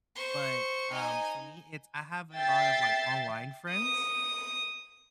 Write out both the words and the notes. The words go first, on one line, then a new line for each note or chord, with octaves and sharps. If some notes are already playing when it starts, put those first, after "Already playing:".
but, um, for me, it's I have a lot of, like, online friends,
C5 C#6
D#4 G#5
E5 G5 A6 C7
D#6